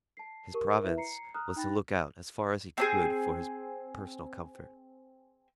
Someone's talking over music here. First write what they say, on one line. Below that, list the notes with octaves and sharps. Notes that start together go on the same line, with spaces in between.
His province was to look out, as far as he could, for his personal comfort.
A5 C7
G4 A#4 C#6
E4 B4 E5
A#5 C7 C#7
A#5 D#6 F6 F#6
D#4 G5 B5 F#6 A6 A#6
C4 D4 G#4